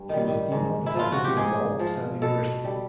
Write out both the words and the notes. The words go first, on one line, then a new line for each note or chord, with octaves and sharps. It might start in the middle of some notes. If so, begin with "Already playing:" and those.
He was Dean of the Faculty of Law of said university.
Already playing: G2
D#3 G3
G#2
E4
F3 F4
F#4
G4
G#2 G#4
F3
B2 A4
G3